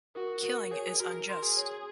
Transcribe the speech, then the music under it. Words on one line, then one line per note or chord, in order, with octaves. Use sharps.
Killing is unjust.
F#4 A#4
F#4 A#4
G#4 C#5
F#4 A#4
C6
G#4
C#5